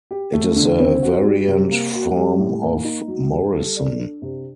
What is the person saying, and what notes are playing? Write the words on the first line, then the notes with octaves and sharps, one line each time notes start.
It is a variant form of Morrison.
G4
A3
D3
C4
F#4
G3
C3
A#3
F#4
G3
A2
A#3
D#4
F#3
G3
A4
D5
D4
C3